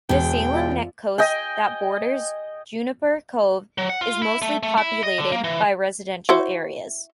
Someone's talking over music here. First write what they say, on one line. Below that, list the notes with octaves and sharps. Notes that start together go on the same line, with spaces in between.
The Salem Neck coast that borders Juniper Cove is mostly populated, by residential areas.
E1 E2 D3 G5
F4 D5 E5
D#5 G5 G#5
F#3
F#5
F4
E4
A3
A3
E4
D#5
D3
A#3
E3
E4 F#4 C5